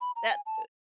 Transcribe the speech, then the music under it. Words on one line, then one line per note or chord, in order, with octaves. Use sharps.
That, uh,
B5
A#5
G#5
A5